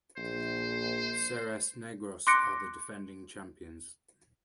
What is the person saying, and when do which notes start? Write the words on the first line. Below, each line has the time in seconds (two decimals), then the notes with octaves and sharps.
Ceres–Negros are the defending champions.
0.17 A#1 C5
2.27 C6 D6 F#6 A#6 C#7 D7